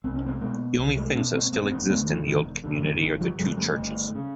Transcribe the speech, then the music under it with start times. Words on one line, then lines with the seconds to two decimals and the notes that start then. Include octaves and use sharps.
The only things that still exist in the old community are the two churches.
0.04 C2 C4
0.15 C#4
0.26 A#3 C4
0.41 B2 G#3 A#3
0.78 C2
0.96 G3 A3
1.15 B2 B3 C#4
1.34 A#3 C4
1.52 E1 A#3 C4
1.71 A#3 C4
1.90 D3 A3 B3
1.94 D#2
2.09 D#3 F3
2.27 E1 D#3
2.64 D#2 D3
3.01 G1 D#3
3.21 F3 G3
3.38 F2 C#3 F#3 G#3
3.57 G3 A3
3.76 G1
4.15 C#3